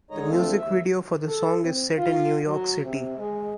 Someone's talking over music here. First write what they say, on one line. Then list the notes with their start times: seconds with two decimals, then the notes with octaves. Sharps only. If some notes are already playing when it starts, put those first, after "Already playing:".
The music video for the song is set in New York City.
0.11 D3 G#3 D#4 C#5 D#5 A#5
0.28 D2 A3 C4 F4 A4 F5
0.57 D#2 E5
1.27 A4
1.64 C4
1.98 F4
2.46 F#3
2.83 C3
3.18 G#3